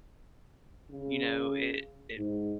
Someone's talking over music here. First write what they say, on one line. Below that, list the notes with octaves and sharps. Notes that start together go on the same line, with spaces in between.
you know, it it
C#3
G#2